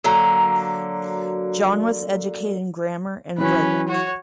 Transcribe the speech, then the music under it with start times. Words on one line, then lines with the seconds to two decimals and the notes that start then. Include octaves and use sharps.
John was educated in grammar and rhetoric.
0.04 D3 F#3 A#3 A#5
3.38 E3 F#3 C#4 B4
3.89 F#4 C#5